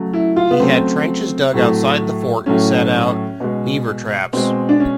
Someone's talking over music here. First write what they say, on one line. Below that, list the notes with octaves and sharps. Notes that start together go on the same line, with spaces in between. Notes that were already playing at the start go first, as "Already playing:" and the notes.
He had trenches dug outside the fort, and set out beaver traps.
Already playing: C#3 F#3 A3
E4
F4
B3
C#3 F#3 A3 C4
A2 F#3 A3
A2 F#3 A3 C#4
B2 G#3
B2 G#3 C4
D4
C#4